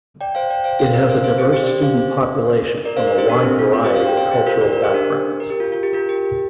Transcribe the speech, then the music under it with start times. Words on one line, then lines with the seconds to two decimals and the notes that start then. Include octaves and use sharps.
It has a diverse student population from a wide variety of cultural backgrounds.
0.21 D5 G5
0.35 C5 F5
0.50 D5 G5
0.64 C5 F5
0.79 C5 F5
0.94 A#4 D5
1.09 C5 F5
1.24 C5 F5
1.38 G4 C5
1.52 G4 C5
1.63 D5
1.67 G4 C5
1.82 C5 F5
2.85 A#4 D5
2.97 C5 F5
3.07 A#4 D5
3.18 G4 C5
3.29 D4
3.44 C4
3.59 F4
3.73 F4 A#4
3.84 G4 C5
3.90 D5
3.95 C5 F5
4.07 D5 G5
4.17 C5 F5
4.32 G4 C5
4.46 F4 A#4
4.61 A#4 D5
4.73 A#4 D5
4.83 G4 C5
4.94 D4
5.40 A#4
5.50 G4
5.60 F4
5.72 F4
5.83 G4
5.93 F4 A#4
6.09 G4